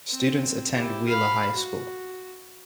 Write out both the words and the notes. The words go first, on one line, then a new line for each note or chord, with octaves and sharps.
Students attend Wheeler High School.
C4
E4 G4
F5 B5
F#4